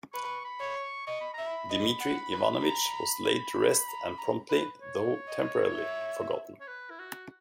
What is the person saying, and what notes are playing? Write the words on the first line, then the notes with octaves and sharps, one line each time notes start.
Dmitry Ivanovich was laid to rest and promptly, though temporarily, forgotten.
B4 C#6
B5
C#5
C#6
D#5 C#6
B5
E5 A#5
B5
D#5
F#5
B4
A#5
A#5
A#5
B4
C#5
D#5
E5
C#5
B4
E4
F#4